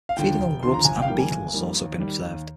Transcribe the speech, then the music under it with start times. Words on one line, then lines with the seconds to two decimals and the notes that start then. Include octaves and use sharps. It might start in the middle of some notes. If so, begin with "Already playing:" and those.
Feeding on grubs and beetles has also been observed.
0.09 F5
0.17 D#2 D3 F3 G5
0.39 F1
0.62 D#2 D3 F3 C6
0.74 A#5
0.85 G1 G#5
0.96 G5
1.02 F5
1.08 F2 D#3 G3 A#3 G5
1.19 G#5
1.31 G1
1.53 F2 D#3 G3 A#3
1.76 D#2
1.98 D#3 G3
2.22 D#2